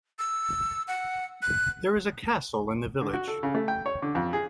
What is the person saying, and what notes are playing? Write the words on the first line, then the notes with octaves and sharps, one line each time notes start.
There is a castle in the village.
E6
F#5
F#6
D3
F#4
A4
C#3
A3
G5
C#5
D3
F2
G#4